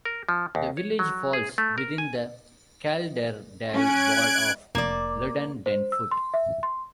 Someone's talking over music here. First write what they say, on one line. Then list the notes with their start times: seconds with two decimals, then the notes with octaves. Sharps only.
The village falls within the Calderdale Ward of Luddendenfoot.
0.05 A#4
0.29 F3
0.55 D#2
0.77 C#5
0.99 F#3
1.33 G#4
1.58 A3
1.78 A#4
1.98 G#5
3.72 C#4 F#6 G#6 D7
4.75 F1 A#3 D5
5.66 C5
5.92 E6
6.11 C6
6.34 E5
6.63 C6